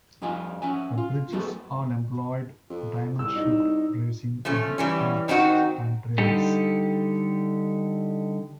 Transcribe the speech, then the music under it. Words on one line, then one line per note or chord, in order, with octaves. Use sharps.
The bridges all employed diamond-shaped bracing in the arch spandrels.
F2 F3 G3 F4 G#5
C#4 E5 F#5 G#5
F4
F#3 A3 B3 G#4 A4
F2
C2 E6
D#4
F3 A3 C#4
E3 G3 C#4
D#3 C4 D#4 F#4
D3 G3 D#4 G4 A4